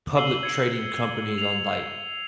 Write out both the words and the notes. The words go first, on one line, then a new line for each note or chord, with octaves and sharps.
public trading companies on, like,
E6 C7 D#7 F#7 G7
G#6 C#7
C7 F7